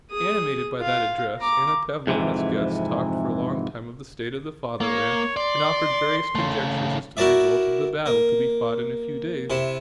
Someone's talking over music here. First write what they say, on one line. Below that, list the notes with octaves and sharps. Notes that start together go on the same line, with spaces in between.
Animated by that address Anna Pavlovna's guests talked for a long time of the state of the fatherland and offered various conjectures as to the result of the battle to be fought in a few days.
G#4 D#6
F4 F5
A#5 D6
F2 G#2 C3 E3
A#3 C#5
D5 C6
C#3 A3
E4 F#4 A#4 D5 E5
A#3
C3 E4